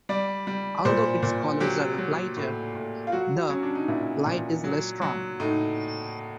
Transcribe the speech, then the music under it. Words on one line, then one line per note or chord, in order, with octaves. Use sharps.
Although its colors are lighter, the light is less strong.
G3 D5
G3
A#2 C5
A#2
F#3 G4
F#3
A2
A2
F4
F#3 F#4
F#3 C#4
D4
D#4
A#2 E4
A#2
F#3
F#3
A2 D#4